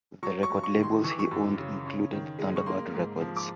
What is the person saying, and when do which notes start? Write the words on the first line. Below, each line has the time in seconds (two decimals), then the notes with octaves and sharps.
The record labels he owned included Thunderbird Records.
0.23 F#3 C#6
0.43 C#6
0.50 G2
0.63 C#6
0.77 D#3
0.83 C6
1.04 E3 C#6
1.11 D6
1.19 C#6
1.31 F#2
1.58 C#3
1.86 C#4
2.13 D#3
2.39 G#3
2.56 C#6
2.66 A#3 C6
2.94 G#2
3.20 F3
3.36 D6